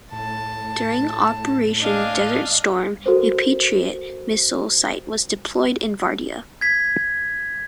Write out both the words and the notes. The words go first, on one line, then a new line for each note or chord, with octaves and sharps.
During Operation Desert Storm, a Patriot missile site was deployed in Vardia.
A2 A5
D4 D#5 F5 G#5
F#4 A4 A#4 C5
G#6 B6